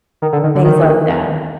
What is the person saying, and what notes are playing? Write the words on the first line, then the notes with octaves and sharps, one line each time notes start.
things like that.
D#3
D3
D#3
D3
D#3